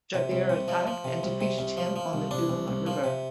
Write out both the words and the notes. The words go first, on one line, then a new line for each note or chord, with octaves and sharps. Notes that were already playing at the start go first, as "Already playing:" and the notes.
Djabir attacked and defeated him on the Dume River.
C3
C2
C3
F3
F3
C3
C2
C3
C2
F3
F3
C2
C2 D4
C2
C2
F3
C3